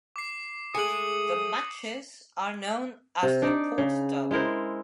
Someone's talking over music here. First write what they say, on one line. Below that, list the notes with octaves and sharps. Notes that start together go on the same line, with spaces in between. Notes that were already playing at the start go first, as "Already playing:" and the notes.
Their matches are known as the "Port Derby".
D6 C7
G#3 A3 G#5 D#6 C#7 F#7
C3
D4 D#4 D5
C#3
G#3 E4 A#4 C5